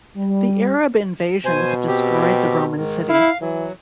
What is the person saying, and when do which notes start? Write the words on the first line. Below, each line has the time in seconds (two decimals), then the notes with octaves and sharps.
The Arab invasions destroyed the Roman city.
0.17 G3
1.45 B2 C5 G#5
1.87 C4 G4
2.76 G#2 D#3
3.09 E4 F5
3.41 E3 F#3